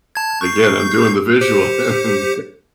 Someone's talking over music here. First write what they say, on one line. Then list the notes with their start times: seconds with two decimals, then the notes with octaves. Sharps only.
again, I'm doing the visual, and
0.15 A5 G#6
0.41 C#6 G6 C7
1.41 G4 C5 C#7